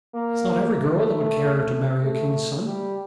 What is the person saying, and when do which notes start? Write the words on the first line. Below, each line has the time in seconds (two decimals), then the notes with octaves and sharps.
It's not every girl that would care to marry a king's son.
0.14 A#3
0.77 A3
2.02 A3
2.65 G3